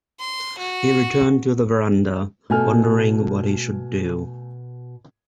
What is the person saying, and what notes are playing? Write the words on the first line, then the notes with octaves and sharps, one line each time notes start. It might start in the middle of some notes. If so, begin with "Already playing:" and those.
He returned to the verandah wondering what he should do.
C6
F#4
B2 A3 A4 G#5 F6